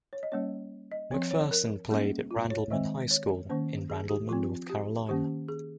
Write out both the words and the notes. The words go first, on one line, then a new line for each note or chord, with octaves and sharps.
McPherson played at Randleman High School in Randleman, North Carolina.
C#5
D#5
G3 A#3 C#4 C#5
D#5
F3 C4 C#5
C#5
A#4
G3 A#3 C#4 G#4
F4
C#5
D#3 G#3 C4 D#5
C#5
D#3 A#3 C#4 C5
G#4
G4
F3 C4 F4
G4
D#3 A#3 C#4 G4
G#4